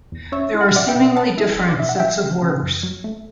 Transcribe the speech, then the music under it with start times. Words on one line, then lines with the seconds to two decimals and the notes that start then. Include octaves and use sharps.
There are seemingly different sets of works.
0.12 E2
0.32 C#4 C#5 E5
0.54 E4
0.61 F#5
0.69 E5
0.74 F#3 D5 F#5
0.88 E5 G5
0.96 B2
1.16 C#4 F#5 A5
1.38 E4
1.58 F#3
1.68 D5
1.79 B2 E5
1.89 F#5
2.00 F#3 E5 G5
2.20 A3
2.42 C#3
2.63 F#2
2.83 F#3
3.04 A3